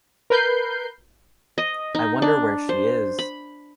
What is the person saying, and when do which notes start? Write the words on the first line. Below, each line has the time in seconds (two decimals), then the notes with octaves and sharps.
I wonder where she is!
0.30 A#4 B4 G6 C7
1.58 D#5
1.95 D#4
2.22 D4
2.69 C5
3.19 B5